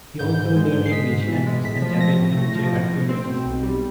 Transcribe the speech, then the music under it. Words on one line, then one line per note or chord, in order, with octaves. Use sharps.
He also learned English and was an avid amateur archaeologist.
G#2 G6
G#2
G#3
G#2
C7
G#3 B6
G#2
E3
G#3
A2 B6
F3
C4 A#6
A2
A3
F3
A2
A2
C4
B2
B1
G3